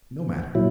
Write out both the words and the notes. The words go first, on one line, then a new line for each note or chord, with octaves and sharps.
No matter!
A#2 F#3 E4